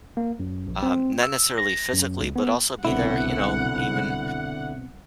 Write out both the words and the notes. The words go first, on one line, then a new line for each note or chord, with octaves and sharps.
um, not necessarily physically, but also be there, you know, even
A#3
F#2
A#1
C4
E6
A#6
F#2
C#2
B3
C2 B2 D3 B3 C4 E4 F#5